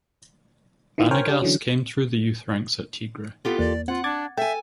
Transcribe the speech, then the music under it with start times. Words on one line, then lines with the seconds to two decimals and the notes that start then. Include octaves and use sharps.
Banegas came through the youth ranks at Tigre.
0.98 D#3 E3 F4
1.11 A#4 C5 C#5 G5 G#5 F6
1.28 D4 G4
1.41 D3 E3 F#3 C#4
3.45 B3 F4 G4 A4
3.59 E2 A#3 D5
3.88 C4 F4 F#5
4.04 D4 D6 G#6 A6
4.37 A4 E5 G5 G#5